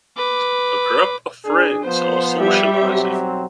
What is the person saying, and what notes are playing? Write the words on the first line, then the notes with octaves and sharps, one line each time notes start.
A group of friends are socializing.
B4 D6
D4 G#4
F3 B3 C5
G3 G4 E5
B1 F#3 C4